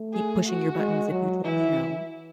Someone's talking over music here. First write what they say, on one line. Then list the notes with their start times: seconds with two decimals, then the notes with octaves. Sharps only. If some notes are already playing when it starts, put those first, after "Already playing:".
keep pushing your buttons if you told me "no."
Already playing: A3
0.13 G#4
0.46 F#4
0.78 G#3
1.11 F#3
1.44 E3 E4